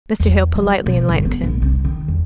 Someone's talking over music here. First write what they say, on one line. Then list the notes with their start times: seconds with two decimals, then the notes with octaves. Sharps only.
Mr. Hale politely enlightened him.
0.20 E2
0.55 F#3
0.86 B2
1.09 G1
1.25 B3
1.43 A#1
1.62 C2
1.84 D#3
2.08 E2